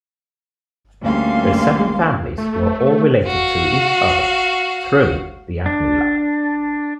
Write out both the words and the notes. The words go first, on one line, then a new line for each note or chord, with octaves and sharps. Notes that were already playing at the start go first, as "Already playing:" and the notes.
The seven families were all related to each other through the Agnew line.
D2 G3 A#3 C#4 F5 C6
A3
F#4 F5
D4